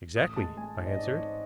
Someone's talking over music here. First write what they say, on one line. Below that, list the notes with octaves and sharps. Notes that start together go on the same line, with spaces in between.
"Exactly," I answered.
A1 D#6
G#3 A5
G#3 G#5
G#2
D#5
G#2 D5
C#5
G#2